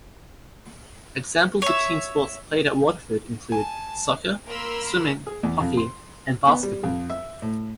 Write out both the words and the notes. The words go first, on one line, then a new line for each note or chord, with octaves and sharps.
Examples of team sports played at Waterford include: soccer, swimming, hockey and basketball.
C#5 E5
G#5 A5
A#3 A#4 B5 C6 E6 F6
G#4
E2
F2
C6
B3
G3
F2
E5
A2